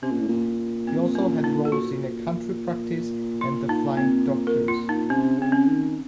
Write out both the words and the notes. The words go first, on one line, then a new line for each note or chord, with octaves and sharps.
He also had roles in "A Country Practice" and "The Flying Doctors".
C3 C#4
A#2
A2
A#2
C4
C#4
D#4
A4
A#2 F#4
F4
D#4
C4
A#4
F4
D#4
C3 C#4
C#3 C4
C#4
D#3